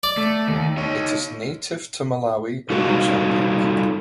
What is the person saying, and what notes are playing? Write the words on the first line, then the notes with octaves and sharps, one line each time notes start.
It is native to Malawi and Mozambique.
D5
A3
D#2
D#4 C#5
G3 D#4 F4 F#4 A4